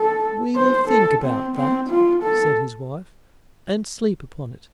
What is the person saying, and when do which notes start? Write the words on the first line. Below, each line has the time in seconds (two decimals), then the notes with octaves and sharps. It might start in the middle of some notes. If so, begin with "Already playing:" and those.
"We will think about that," said his wife, "and sleep upon it."
Already playing: A4
0.56 C5
0.88 A4
1.23 C4
1.56 C4
1.90 F4
2.23 A4